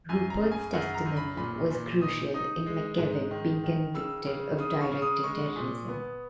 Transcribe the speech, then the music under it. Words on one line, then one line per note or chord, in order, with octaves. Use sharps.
Rupert's testimony was crucial in McKevitt being convicted of directing terrorism.
F#2 G#5
A#5
C#3
G#5
F#2 F#5
A#5
F#2
B5
A#2 B5
A#2
D#4 D#6
D#4 D#6
G#3
G#2
D#3
D#3
C#3 E6
C#3
C#3 D#6
C#6
C#3
D#6
G#3 C#6
A#2
B3